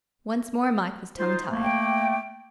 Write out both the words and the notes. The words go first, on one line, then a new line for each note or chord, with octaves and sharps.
Once more Mike was tongue-tied.
D#4 F4 C5
A3 A#3
G5